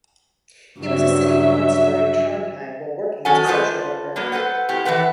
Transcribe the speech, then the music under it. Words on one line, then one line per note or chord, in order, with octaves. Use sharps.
He was a city councillor in Trondheim while working as a social worker.
G2 C#3 F#3 E5
D#3 F#3 C#4 A4 F#5 G#5
G3 A3 F4 B4 C5 D#5
F#3 G3 A#3 B3
A4 B4 C5 F#5
A2 C4 G4
E3 F3 A4 B4 F#5